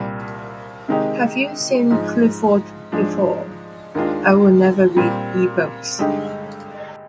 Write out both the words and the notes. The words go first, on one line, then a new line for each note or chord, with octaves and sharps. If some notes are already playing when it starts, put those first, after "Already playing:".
Have you seen Clifford before? I will never read E-Books.
Already playing: C2 A#2 G3
C3 D#3 G#3 D#4 G4
G#2 F3 G#3
G#2 F3 G#3 D4
D#2 D#3 G#3 D4 F4
A#2 G3 C4
G2 D3 G#3 D#4 G4